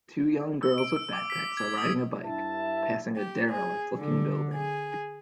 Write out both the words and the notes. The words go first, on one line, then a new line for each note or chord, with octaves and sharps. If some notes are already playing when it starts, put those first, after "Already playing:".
Two young girls with backpacks are riding a bike, passing a derelict looking building.
E6
D7
E6
D6
B6
G#6
D#6
G2 E4 E5 A5
G4
G#4
D3
G#4